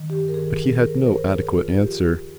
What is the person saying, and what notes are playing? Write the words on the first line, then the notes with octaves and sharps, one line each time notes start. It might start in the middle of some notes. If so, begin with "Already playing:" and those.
But he had no adequate answer.
Already playing: D#3
G2 G4
A#4
D#3 G#4
F3 G#4
F3 A#4
C5
G2 A#4
G2 G#4
F3 F4
F3 G4
D#2